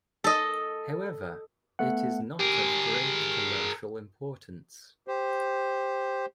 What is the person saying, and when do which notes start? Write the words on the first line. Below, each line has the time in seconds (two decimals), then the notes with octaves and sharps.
However, it is not of great commercial importance.
0.24 A4 D#5
1.79 A3 B3 F#5
2.40 G4 G#4 A#4
5.08 G4 C5